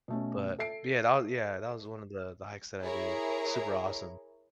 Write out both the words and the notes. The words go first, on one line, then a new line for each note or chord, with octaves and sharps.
But yeah, that wa yeah that was one of the, the hikes that I did, super awesome.
B2 A3 C#4
A4 E5 C7 D7
E4 G#4 A#4 C#5